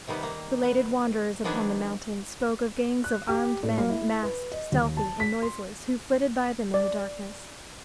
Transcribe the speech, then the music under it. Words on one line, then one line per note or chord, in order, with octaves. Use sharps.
Belated wanderers upon the mountains spoke of gangs of armed men, masked, stealthy, and noiseless, who flitted by them in the darkness.
C3 D#3 G3 B3
A#3
B3
D#3 F3 B3 D4 G#4
F#6
G4
A2
A#3
E4
B4
D#5
D#2
A5
B6
C6
D5